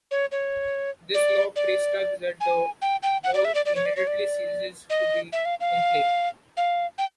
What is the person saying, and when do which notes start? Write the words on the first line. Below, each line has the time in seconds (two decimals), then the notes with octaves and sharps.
This Law prescribes that the ball immediately ceases to be in play.
0.11 C#5
0.32 C#5
1.14 D5
1.56 D5
2.40 G#5
2.82 G5
3.03 G5
3.24 F#5
3.34 D5
3.45 E5
3.55 D5
3.65 D5
3.75 C#5
3.85 D5
3.96 C#5
4.07 D5
4.90 D#5
5.32 E5
5.45 F5
5.60 F5
6.57 F5
6.98 G5